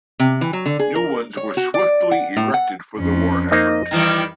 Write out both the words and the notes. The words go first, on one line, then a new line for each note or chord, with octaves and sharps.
New ones were swiftly erected for the war effort.
C3
E3
F#3
D3
G#4
A#4
C#5
F#4
D5
F#5
A2
F#5
F2 C#4
A#3 D#4 C5 D#5
D#3 E3 G3 A#5